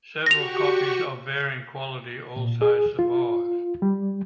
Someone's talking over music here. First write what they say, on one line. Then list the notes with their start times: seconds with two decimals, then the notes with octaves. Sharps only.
Several copies of varying quality also survive.
0.26 F#4 G4 C#6 A#6 F7
2.36 A#2
2.62 G#4
2.99 F4
3.82 G3